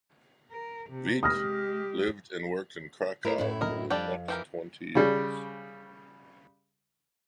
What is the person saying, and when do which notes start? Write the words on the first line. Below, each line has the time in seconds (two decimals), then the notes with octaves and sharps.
Veit lived and worked in Krakow for the next twenty years.
0.51 A#4
0.90 C3
1.23 G#3 G4 D#6 F6 A#6
3.25 A3 E4 A#4
3.38 F#2 A2 E4
3.61 A#4 D#5
3.90 F2 G3 D4 G4
4.28 E3 G4 A#4
4.95 C#3 G3